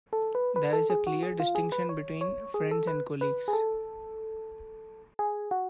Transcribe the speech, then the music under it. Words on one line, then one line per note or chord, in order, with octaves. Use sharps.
There is a clear distinction between "friends" and "colleagues".
A4
B4
B4
A4
G#4
F#4
G#4
F4
G#4
B4
C#5
C#5
G#4
A4
B4
B4
G#4
A4
G#4
F#4